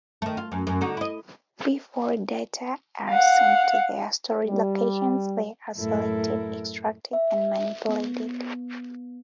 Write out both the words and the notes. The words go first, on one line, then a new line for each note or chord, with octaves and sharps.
Before data are sent to their storage locations, they are selected, extracted, and manipulated.
D#3 A3
F4
F#2
F#2
D3 D#4 F#4
E4 D#5
F5 F#5
G3
F#2 A2 E4 A4 A#4
E5
B3